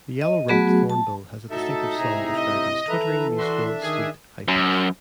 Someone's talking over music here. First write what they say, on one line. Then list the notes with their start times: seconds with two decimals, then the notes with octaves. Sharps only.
The yellow-rumped thornbill has a distinctive song described as "twittering, musical, sweet, high-pitched".
0.21 D#5
0.48 F#3 A3 B3 F#4 G#4
0.90 A5
1.51 A2 D#4 F#4 A4 E5
1.98 A2 C3 E4 G#4 A#5
2.36 D#5
2.89 E3 A4 B4 E5 A#5
3.38 D4 F#4 B4 E5 C6
3.82 D#3 G#4
4.48 F#2